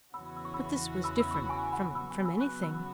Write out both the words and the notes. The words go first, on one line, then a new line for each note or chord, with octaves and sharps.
But this was different from--from anything.
E2 C#3 E3 C#4 F#4 B5 E6
E6
C#6
B5 E6
B5 E6
B5 E6
C#6
B5 E6
G#5 C#6
F#5 B5
C#3 F#3 B3 F#4 B5 E6
G#5 C#6
B5 E6
C#6 F#6
B5 E6